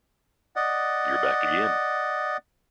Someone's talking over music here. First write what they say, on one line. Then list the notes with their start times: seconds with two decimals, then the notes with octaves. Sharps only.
You're back again.
0.56 D5 D#5 F#5